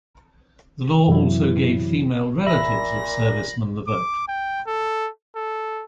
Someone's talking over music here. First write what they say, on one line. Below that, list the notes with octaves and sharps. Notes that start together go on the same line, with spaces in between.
The law also gave female relatives of servicemen the vote.
F#2 C3 E3 F#3 E4
A#2 E5 B5 A#6
D6
G5
A4
A4